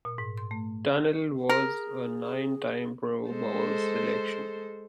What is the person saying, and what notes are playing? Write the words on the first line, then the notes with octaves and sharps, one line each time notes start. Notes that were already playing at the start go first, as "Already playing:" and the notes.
Tunnell was a nine-time Pro Bowl selection.
A#2
G#2
C6
A3
G#4 A#4
G#3 A4 C5